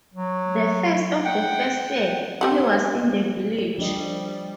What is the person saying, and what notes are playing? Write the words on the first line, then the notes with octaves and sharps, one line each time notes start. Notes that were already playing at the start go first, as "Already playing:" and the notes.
The first of the first year, he was in the village.
F#3
F#5 G5
C4 G4 F#5
F3 G3 D4 D#5